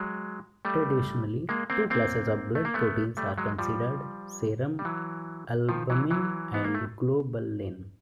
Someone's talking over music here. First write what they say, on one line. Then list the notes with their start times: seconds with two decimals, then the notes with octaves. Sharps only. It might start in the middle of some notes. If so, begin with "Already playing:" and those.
Traditionally, two classes of blood proteins are considered: serum albumin and globulin.
Already playing: F#3 G#3
0.65 G3 A3
1.49 G#3 A#3
1.70 A#3 C4
1.90 A#3 C4
2.55 A3
2.65 A#3
2.74 A3 B3
3.17 G3 A3
3.38 F#3 G#3
3.58 F3 G3
4.79 G3
4.85 E3 F#3
5.69 D#3 F3
5.90 E3 F#3
6.11 E3 F#3
6.54 B3
6.64 A#3
6.75 A3